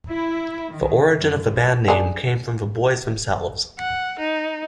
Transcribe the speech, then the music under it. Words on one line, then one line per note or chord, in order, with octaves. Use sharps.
The origin of the band name came from the boys themselves.
E4
D#3
F#2
D4 G#4
F#5
D#4